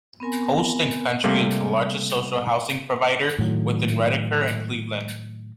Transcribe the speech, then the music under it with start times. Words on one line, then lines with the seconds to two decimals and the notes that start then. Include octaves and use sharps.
Coast and Country is the largest social housing provider within Redcar and Cleveland.
0.20 B3 C4 A#4 G#5
1.24 C3 G3 A3 A#3
3.39 A2 D#3 F#3